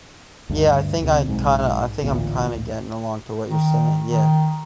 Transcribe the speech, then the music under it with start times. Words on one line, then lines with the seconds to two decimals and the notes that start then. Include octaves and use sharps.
Yeah, I think I kinda I think I'm kinda getting along to what you're saying, yeah.
0.50 D2 G2
1.03 D2 C3
1.28 B1 G#2
2.02 A1 D2 A#2
3.46 D#3
4.09 D#3